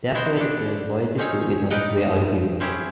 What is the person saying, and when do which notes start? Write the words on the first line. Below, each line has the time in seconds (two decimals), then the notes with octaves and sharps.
Therefore, it appears Voyager too is on its way out of Europe.
0.14 D#4 E4 F#4 C5 C#5
0.37 D4 A4
1.18 C4 C#4 D#4 G#4 C#5
1.70 D#4 A#4 B4 D5 F#5 G5
2.60 C4 C#4 E4 G4 G#4